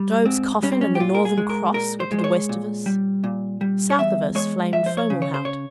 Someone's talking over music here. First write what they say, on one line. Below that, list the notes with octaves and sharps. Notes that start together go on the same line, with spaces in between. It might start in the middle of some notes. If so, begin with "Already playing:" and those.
Job's Coffin and the Northern Cross were to the west of us; south of us flamed Fomalhaut.
Already playing: G3
G#2 C4
G3 C#4
C4
C#4
G4
A#2 F4
A#4
G#4
G#3
A#4
A#2 A#4
C5
G#3
C5
C#5
A#2
G3
A#2
G3
C#5
E2 E5
G#3 C#5
F3 E5
C5
C#5
C#3
C#5
C5
C#5